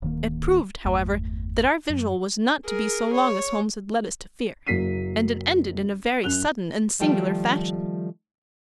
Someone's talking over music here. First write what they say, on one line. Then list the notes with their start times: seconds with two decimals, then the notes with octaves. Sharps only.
It proved, however, that our vigil was not to be so long as Holmes had led us to fear, and it ended in a very sudden and singular fashion.
0.02 D1 D#3 A#3
0.85 G1 E2 A3
1.90 F#2
2.66 G#4 A#4
3.14 C#5
4.66 F#1 F#3 A#3 B6 C7 D#7
6.23 F#2 F#6 F7 G7
7.00 D#3 F3 G3 A3 G5 A5